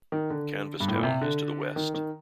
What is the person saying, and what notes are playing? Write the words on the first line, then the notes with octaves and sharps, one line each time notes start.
Canvastown is to the west.
D#3
D3
G2
A2
A#2
C3
D3
D#3
D#3